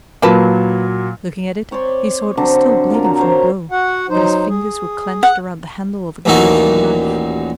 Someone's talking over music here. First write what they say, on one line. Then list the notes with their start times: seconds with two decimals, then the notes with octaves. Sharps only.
Looking at it, he saw it was still bleeding from the blow, but his fingers were clenched around the handle of a glittering knife.
0.22 A#2 F#3 A#3 B4 A5
1.71 C4 C#5 D5 C6
2.37 D3 F#3 C4 D4
2.91 F4 A#4
3.04 F#3
3.19 C5 C#5
3.71 F#4 F#5
4.09 F#3 D#4 C5
4.48 G#4
5.23 F#5
6.25 A1 D#2 A#2 D#4 F#4